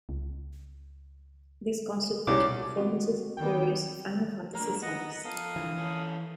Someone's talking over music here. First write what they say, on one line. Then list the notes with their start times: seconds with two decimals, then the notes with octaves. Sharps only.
This concert featured performances of various "Final Fantasy" songs.
0.09 C#2
2.27 C2 B2 C#4 D5 D6
2.77 C4 F#4
3.37 D#3 G3 B3 G5
4.55 A#3 D4 A#4
4.82 B3 D#5 F#5
5.25 F3 A4 F5 D#6
5.56 D3 E3 F3
5.77 C#4 A4